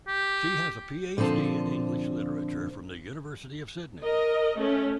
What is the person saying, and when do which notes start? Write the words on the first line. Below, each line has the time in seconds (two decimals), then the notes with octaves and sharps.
She has a PhD in English Literature from the University of Sydney.
0.07 G4
1.17 A#2 D3 F3 C4 A5
4.02 A#4 D#5
4.58 A3 C#4